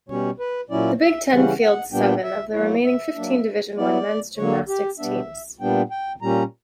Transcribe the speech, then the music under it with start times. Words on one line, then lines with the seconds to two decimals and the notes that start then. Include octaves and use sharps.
The Big Ten fields seven of the remaining fifteen Division One men's gymnastics teams.
0.09 B2 G3 C#4 C#5
0.39 B4
0.70 A#2 F#3 C#4 E4 D5
1.01 E5
1.31 C#3 E3 G3 C#4 F#5
1.62 F#5
1.93 A#2 G3 B3 D4 G5
2.23 E5
2.53 F#3 A#3 E4 C#5
2.84 E5
3.15 F#3 A#3 D4
3.77 F#3 B3 E4 D5
4.37 D3 F#3 A#3 C#5
4.68 G4
4.99 B2 G3 B3 D4 E5
5.60 A#2 G3 B3 D4 G5
5.91 G5
6.22 A#2 G3 C#4 A#5